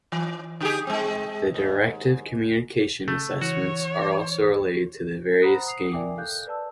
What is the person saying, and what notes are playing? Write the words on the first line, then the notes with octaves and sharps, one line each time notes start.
The Directive Communication assessments are also related to the various games.
E3
D3 G4 G#4
G#3 C4
D#2 G#2
C#3 A3
E3 F#4 C#5
C5 F#5 A#5 B5 D#6 F#6
D#6 C7 F7
A#4 D5 E5 G5 G#5 D6
A4 F5 F#6 G6
B4 D5 A5 E6